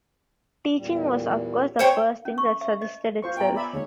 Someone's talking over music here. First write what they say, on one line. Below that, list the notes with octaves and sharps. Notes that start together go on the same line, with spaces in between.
Teaching was, of course, the first thing that suggested itself.
E2 A#2 G3
C4 C5 C#5 G5
C#4
C#6
E5
D#5
F4 C5 C#6
B3 G5 G#5 A#5
D5 E5 B5
D#3 G#3 A#3 C#5